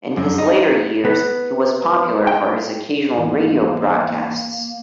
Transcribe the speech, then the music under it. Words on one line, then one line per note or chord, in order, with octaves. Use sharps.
In his later years he was popular for his occasional radio broadcasts.
F#2
D#4
B3
G5
E2 G#2 A#3